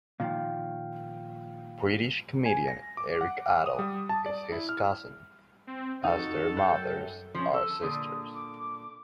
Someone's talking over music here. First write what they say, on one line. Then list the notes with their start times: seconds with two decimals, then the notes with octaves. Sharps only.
British comedian Eric Idle is his cousin, as their mothers are sisters.
0.20 A#2 D#3 F3 F5 G5
2.46 G#5
2.68 A#6
2.97 D6
3.21 F#5
3.66 D#6
3.79 G3
4.09 A5
4.26 D5
4.52 E4
4.69 F6
5.67 C4
6.05 F2 D#4 F#4 A4
6.57 F#2 F#5 G5
7.35 F3 C#4
7.54 A4 E6
7.82 A#2 D3 D#6
8.34 D6